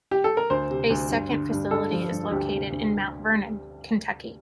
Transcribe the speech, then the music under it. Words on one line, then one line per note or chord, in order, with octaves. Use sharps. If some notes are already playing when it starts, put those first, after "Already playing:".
A second facility is located in Mount Vernon, Kentucky.
G4
A4
A#4
D2 C5
C3
D2
G2
D3
G2
G2 A4
F3
G2
D2 G4
C3
D2